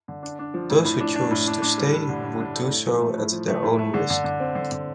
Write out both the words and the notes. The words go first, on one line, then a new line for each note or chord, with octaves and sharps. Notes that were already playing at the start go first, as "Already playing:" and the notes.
Those who chose to stay would do so at their own risk.
D3
D4
D4
F3
A2
A2
D4
D4
A2
D4
D4
G3
D4
D3
D4
D4
A4
A2
F3
A3
A2
F3
A3
A2
A3
D3
D3
D3
C4
D3
D3